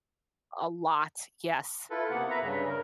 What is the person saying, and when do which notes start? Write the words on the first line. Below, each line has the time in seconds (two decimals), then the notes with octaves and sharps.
a lot, yes,
1.90 E4 F4 A4 B4
2.10 C3 A#3 B3 F#5
2.30 B4 E5 A#5
2.42 G2 C#3
2.70 A#4